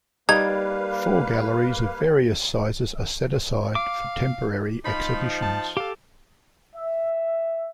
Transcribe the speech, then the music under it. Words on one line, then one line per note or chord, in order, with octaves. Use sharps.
Four galleries of various sizes are set aside for temporary exhibitions.
G3 A#3 D#4 B4 F5 G#6
F5 D6
F3 D#4 B5
A5
G4 A4 F5
E5